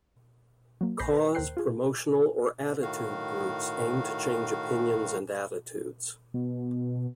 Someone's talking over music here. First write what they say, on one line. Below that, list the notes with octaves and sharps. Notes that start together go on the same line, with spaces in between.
"Cause", "promotional" or "attitude" groups aim to change opinions and attitudes.
F#3 A#3
A#1 B5 G6 A#6 C7
B4 A#5
D#2 A#4 C5 G5 F#6 C7
F4 G#4
A2 D#3 F#4 F5
B2